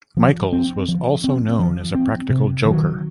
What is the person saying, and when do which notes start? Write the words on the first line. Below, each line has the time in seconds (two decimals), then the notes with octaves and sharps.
Michels was also known as a practical joker.
0.17 F3
0.53 C4
0.89 F3
1.24 C4
1.59 F3
1.95 C4
2.30 C3
2.66 D#3 F#3